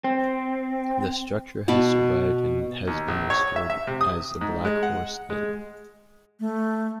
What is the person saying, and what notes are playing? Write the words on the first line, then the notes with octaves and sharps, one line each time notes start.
The structure has survived and has been restored as the Black Horse Inn.
C4
B2 B3 A5 B5
D#2
A#1
C#5
E5
E5
C3
D#6
G#2
G#3
F#5
G#3
A3